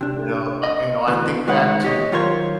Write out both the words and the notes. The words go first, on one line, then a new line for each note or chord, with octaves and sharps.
You know, uh, you know, I think back to
C3 D4
D#5
D2 B2 E3 B4
D2 D#3 G#3 B4 F#5
G4 C#5 D#5
D#3 F#3 F4 A#4 C5 C#5